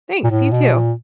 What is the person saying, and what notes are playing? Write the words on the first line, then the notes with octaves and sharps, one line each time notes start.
Thanks you too.
A#2
A2
B2
A#2